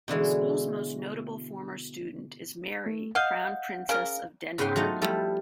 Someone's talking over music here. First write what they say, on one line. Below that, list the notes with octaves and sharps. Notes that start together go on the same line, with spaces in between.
The school's most notable former student is Mary, Crown Princess of Denmark.
B2 D3 E3 G#3
A3
D#5 F5 F#5 G6
C#3 A#4 F5
G#2 C#3 B3 B4 G5 C6
F#3 A3 D#4 F4
F3 G3 A3 E4